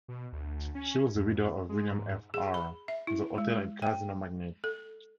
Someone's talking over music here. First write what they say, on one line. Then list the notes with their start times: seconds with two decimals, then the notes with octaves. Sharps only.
She was the widow of William F. Harrah, the hotel and casino magnate.
0.08 B2
0.33 D2
0.75 C#4
1.15 F2
1.69 G#3
1.91 G#2
2.34 G#4
2.54 B5
2.88 E5
3.07 E4
3.38 G#3
3.82 G5
4.64 A4